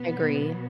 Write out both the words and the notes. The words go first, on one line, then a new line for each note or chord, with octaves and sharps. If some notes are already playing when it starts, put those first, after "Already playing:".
I agree.
Already playing: B2 F#3 B3